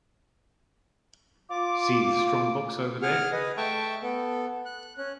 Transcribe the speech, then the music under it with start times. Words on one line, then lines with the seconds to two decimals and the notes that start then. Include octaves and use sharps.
See the strong-box over there?
1.50 F4 D6
3.02 G#4 F#5 F6
3.32 B4 D#5
3.57 A3 E5 G5 A5 C#6
4.02 B3 A4
4.66 F#6
4.98 C#4 F#6